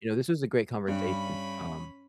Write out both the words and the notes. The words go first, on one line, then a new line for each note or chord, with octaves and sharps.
you know, this was a great conversation, um,
G2 C#4 B5